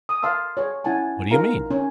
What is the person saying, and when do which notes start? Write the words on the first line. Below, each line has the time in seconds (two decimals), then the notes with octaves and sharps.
"What do you mean?"
0.09 D#6
0.23 F5 A5 C6 E6
0.57 G#4 C#5
0.84 C#4 E4 F#5 G#5 A5
1.31 D#4 F4 A#4 F5 A#5
1.71 C#4